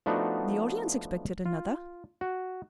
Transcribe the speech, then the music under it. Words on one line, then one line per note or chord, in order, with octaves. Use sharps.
The audience expected another.
F3 A3 B3 D4 D#4 F#4
F4
F#4